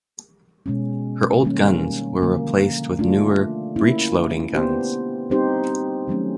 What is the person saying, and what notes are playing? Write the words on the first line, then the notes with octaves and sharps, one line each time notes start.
Her old guns were replaced with newer breechloading guns.
B2 G#3 C#4
D#3 G3 A#3 C#4
D3 F3 A#3
A3 D4 F4
A#3 C#4 E4
B3 D4 G4 C5
G3 C4 D#4 G4 C5
D#3 F#3 A3 C#4